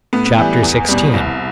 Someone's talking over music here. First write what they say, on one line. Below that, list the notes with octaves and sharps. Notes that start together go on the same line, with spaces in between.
Chapter XVI.
A2 B3
B3
E3 G3
E2
B2 G3
C2